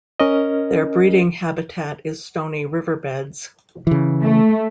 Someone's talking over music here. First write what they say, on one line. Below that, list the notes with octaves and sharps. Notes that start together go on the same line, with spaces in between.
Their breeding habitat is stony riverbeds.
C#4 A#4 D#5
C#3 E3
A3